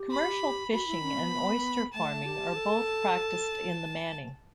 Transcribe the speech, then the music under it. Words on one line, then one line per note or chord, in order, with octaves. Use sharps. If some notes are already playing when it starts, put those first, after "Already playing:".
Commercial fishing and oyster farming are both practiced in the Manning.
Already playing: G4
B5
F#4 B5
E4
C#4
B3
A3 A5
G4
A4